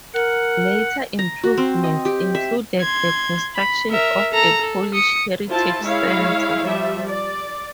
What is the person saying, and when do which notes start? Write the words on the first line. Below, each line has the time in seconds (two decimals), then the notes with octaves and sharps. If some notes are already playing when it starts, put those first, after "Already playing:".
Later improvements included the construction of a Polish Heritage Center.
0.14 A#4 F#5
1.19 A#5
1.43 F#4
1.58 C4
1.84 D#5
2.05 G4
2.35 E5
2.81 C6 G#6
3.56 B5
3.91 A#4 E5
4.32 A4 A#5
4.61 A4
4.94 D#6 C#7
5.50 E4 F4 C5 A5
5.81 G#3 E4 C#5 F5
6.64 F3 G3 E5
7.07 D5